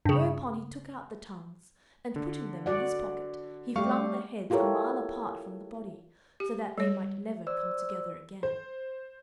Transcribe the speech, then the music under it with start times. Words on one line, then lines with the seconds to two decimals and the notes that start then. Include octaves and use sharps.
Whereupon he took out the tongues, and putting them in his pocket, he flung the heads a mile apart from the body, so that they might never come together again.
0.05 G2 C#3
2.16 D3
2.66 F#4 D5 F#5
3.76 G3 A3 G4 F5 C#6
4.50 E4 F4 G4 A4 A#4 C#5
6.40 G4
6.78 G3 C#5
7.47 C5 D5 E6
8.43 C5